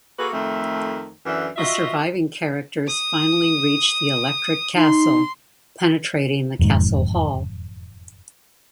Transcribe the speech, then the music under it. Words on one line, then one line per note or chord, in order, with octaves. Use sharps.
The surviving characters finally reach the Electric Castle, penetrating the Castle Hall.
A#3 F#4 G#4 A4 B4
F2 D#3 A3
F#2 D3 E3
F4 F#4 D#5 E5
D#6
D#4 C6
E1 F2 G#2 D#3